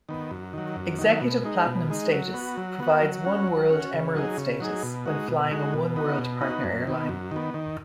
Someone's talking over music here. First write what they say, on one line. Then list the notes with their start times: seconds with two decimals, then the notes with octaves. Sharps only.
Executive Platinum status provides oneworld Emerald status when flying a oneworld partner airline.
0.09 D#3 B3
0.31 F#2
0.53 D#3 F#3
0.76 F#2
0.99 D#3 F#3
1.21 B2
1.44 G#3 D#4
1.66 B2
1.90 G#3 D#4
2.12 F#3
2.34 B3 F#4
2.57 F#3
2.80 B3 F#4
3.02 F#3
3.25 C#4 F#4
3.47 F#3
3.70 C#4 F#4
3.93 C#3
4.15 F#3 D#4 G#4
4.38 C#3
4.60 F#3 D#4 G#4
4.83 B2
5.06 G#3 D#4 F#4
5.28 B2
5.51 G#3 D#4 F#4
5.74 B2
5.96 B3 D#4 F#4
6.18 B2
6.41 B3 D#4 F#4
6.64 F#2
6.87 D#3 B3
7.09 F#2
7.31 D#3 B3
7.54 D#3